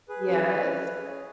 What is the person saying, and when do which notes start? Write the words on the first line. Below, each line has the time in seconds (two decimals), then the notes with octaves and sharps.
Yeah, it is.
0.09 G#4 B4
0.28 C#4
0.46 E4
0.66 C#4
0.85 G#4
1.03 C#4